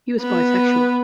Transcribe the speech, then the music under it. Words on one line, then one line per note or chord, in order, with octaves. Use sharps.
He was bisexual.
B3